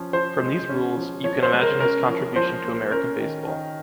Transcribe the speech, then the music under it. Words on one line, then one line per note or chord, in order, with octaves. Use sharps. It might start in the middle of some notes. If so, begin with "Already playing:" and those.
From these rules, you can imagine his contribution to American baseball.
Already playing: F3 C#4
F3 C5
G#3
C#4
F3
F3 C#5
C5
G#3
A#4
C#4 A#4
F3
F3 C5
A#3
C#4 A#4
D#3
D#3